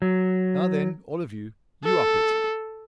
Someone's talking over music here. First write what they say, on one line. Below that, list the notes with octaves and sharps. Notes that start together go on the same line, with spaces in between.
'Now then, all of you, you 'op it.
F#3
A4